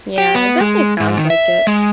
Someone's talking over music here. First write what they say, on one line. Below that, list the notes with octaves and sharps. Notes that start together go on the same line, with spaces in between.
Yeah, it definitely sounds like it,
G4
B3
G#3
G#2
D#3
E5
G#3